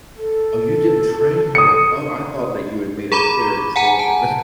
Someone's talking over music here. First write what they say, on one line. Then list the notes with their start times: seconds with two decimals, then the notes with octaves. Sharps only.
Oh, you didn't train him. Oh, I thought that you had made a clear distinction.
0.18 A4
1.55 D#6 C#7
3.12 G#4 A#5 B5 D6
3.76 F#5 G#5 A#5
3.99 A5